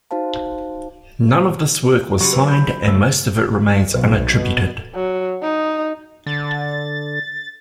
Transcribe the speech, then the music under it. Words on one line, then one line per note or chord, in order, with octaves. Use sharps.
None of this work was signed and most of it remains unattributed.
D#4 F#4 C5 F5 A5
C#3 F#3 F#4 G4 C#6
B4
B5 G6
G#2 C#3 A3 E6
B1
B2
F#3
D#4
D3 A6